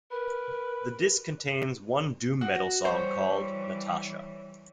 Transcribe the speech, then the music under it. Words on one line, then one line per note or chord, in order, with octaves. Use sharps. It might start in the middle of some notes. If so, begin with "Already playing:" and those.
The disc contains one doom metal song called "Natasha".
A#4 B4
F#4
E3 G3 C5 C#5